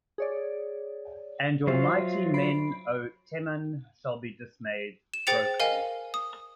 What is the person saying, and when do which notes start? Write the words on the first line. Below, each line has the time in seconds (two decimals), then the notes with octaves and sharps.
And your mighty men, O Teman, shall be dismayed - broken.
0.18 G#4 C#5 D5
1.67 F#3 F4 C5 E5
2.34 B5 C7 D7
5.14 E7
5.27 G#4 C5 G5 A6 C#7 F7
5.60 A#4 D#5 F5 G#5
6.14 D#6